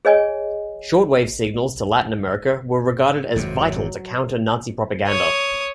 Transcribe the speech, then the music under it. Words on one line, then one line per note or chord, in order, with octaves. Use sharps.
Shortwave signals to Latin America were regarded as vital to counter Nazi propaganda.
G#4 C#5 D#5 G#5
G#1 F2 C3 F#3
C#5 D#6